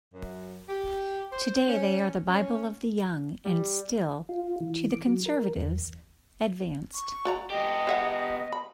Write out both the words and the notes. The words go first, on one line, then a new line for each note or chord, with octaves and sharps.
Today they are the Bible of the young and still, to the conservatives, "advanced."...
F#2
G4
C5
C#4
C#4
G3
F4
E3
D6
F#3
A#4
E2
C#6
F#4 D5 A#5
B3 G4 D#5
G#4 E5 F#5
B5